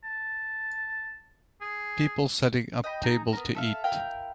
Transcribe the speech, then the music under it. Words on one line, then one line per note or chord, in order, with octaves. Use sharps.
People setting up the table to eat.
A5
G#4
D#5 G5 B5
D#4 G#4 A#5
B3 A#4
A4 E5 F5
E4 A#4 F5 G5